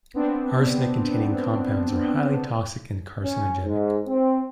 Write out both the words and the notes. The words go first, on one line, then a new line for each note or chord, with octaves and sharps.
Arsenic-containing compounds are highly toxic and carcinogenic.
B3 C4 D4
C#4
G#2
C4